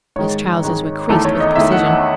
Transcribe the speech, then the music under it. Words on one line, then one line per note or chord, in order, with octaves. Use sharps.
His trousers were creased with precision.
G#2 D#3 G#3 C#5
G#2 D#3 G#3
E2 D#3 A3 A4
C#5
D#5
E2 D#3 A3 E5
F#5
F#5